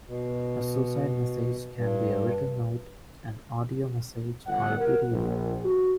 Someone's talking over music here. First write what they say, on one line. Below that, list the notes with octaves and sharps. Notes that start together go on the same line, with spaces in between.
A suicide message can be a written note, an audio message, or a video.
B2
G2
G1 F#5
A#4
A#1
F#4